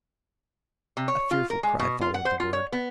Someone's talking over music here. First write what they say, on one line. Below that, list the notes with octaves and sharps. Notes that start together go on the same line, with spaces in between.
A fearful cry followed the word.
C3
C#5
F4
A#4
G#3
B2
F4
F#5
C5
F4
C#5
B3